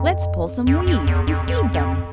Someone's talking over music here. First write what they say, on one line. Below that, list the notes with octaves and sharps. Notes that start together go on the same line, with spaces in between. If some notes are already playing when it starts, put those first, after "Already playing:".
"Let's pull some weeds and feed them."
Already playing: F2
F2
F2
E2
F2
F2
F2